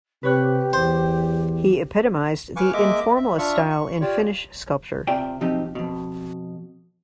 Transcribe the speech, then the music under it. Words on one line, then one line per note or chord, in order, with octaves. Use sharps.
He epitomised the Informalist style in Finnish sculpture.
C3 G4 B4 C#5 F#6
E2 C5
B4 F5 G#5 C#6 D6
G#3 A#3 D#5 E5 D6
E5
D4 F4 E5 F5 C#6
C#6
F4 G4 C#5 D5
C3 F4 D5 E5 G5
B2 F3 F#3 C4 D#4 G4
F2 B2